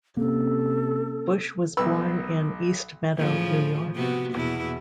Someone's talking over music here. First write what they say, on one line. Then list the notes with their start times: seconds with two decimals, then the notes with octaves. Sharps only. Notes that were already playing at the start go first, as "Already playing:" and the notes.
Busch was born in East Meadow, New York.
0.17 C3 A#3 C#4 A4
1.77 B1 B4 E6
3.17 A2 C#3 F3
3.95 C3 B3 F#4
4.34 E2 B2 E4